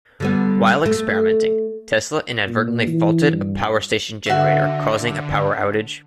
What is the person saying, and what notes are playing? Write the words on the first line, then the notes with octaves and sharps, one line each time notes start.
While experimenting, Tesla inadvertently faulted a power station generator, causing a power outage.
D3 G3 B3
A3
A#2
E3
G2
D3 F#4 E5